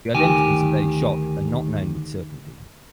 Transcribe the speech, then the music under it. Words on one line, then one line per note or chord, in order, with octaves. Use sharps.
The identities of those shot are not known with certainty.
D2 D#3 G4 G#5